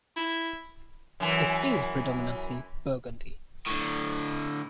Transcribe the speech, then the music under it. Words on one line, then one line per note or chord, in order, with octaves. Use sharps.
It is predominantly burgundy.
E4
F#2 E3
A2 D3